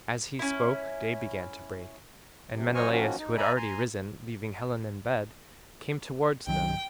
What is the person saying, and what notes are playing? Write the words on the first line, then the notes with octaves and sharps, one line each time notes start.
As he spoke day began to break, and Menelaus, who had already risen, leaving Helen in bed, came towards them.
C#4 E4
F#2 C3
F#3 C5 D#5 G#5 C#6 F6
D#3 F3 A#3 C#4 F#4
D#4
D5 E5 G#5 A#5 B5
G#5 A#5 C6
C2 D#3 F#3 G5